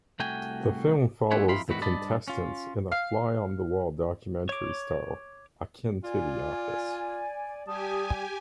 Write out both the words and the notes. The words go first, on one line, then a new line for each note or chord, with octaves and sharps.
The film follows the contestants in a fly-on-the-wall documentary style, akin to "The Office".
C2 A3 F#4 G5 G#5
A#3 C4 D4 E4 B4 C#5
F2 D#4 E4 F5 B5 C6
E2 G#2 D#3 E4 F#4 B4
G2 D5 D#5 A5 B5
C#4 F4
F5
C#5 D6
F4 D5 G#5
G3 G4 G#5 A5 D#6